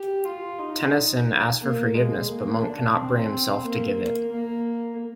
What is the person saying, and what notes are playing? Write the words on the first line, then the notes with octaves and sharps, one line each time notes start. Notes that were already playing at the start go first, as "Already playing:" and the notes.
Tennyson asks for forgiveness, but Monk cannot bring himself to give it.
Already playing: G4
F4
D#4
A#3
G#3
A#3
D4
C4
C4
A#3
A#3